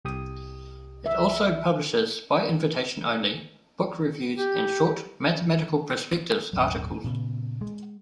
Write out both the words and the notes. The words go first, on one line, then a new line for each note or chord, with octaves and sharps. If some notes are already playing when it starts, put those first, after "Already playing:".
It also publishes, by invitation only, book reviews and short "Mathematical Perspectives" articles.
C2 G4 D#6
E5
G4
D#1 G#1 D#2 F#3
A#2 C#3 B3
G#3